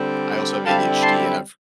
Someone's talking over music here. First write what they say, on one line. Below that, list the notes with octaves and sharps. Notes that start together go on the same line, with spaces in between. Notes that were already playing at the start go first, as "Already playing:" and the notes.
I also have ADHD, and I've,
Already playing: D3 G3 C4
D3 G3 C4 E4 F5 A5
A5 C6